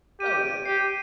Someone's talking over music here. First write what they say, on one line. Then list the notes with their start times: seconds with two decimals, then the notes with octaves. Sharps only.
Oh, yeah.
0.20 G4 D#7
0.43 D7
0.65 G4 C7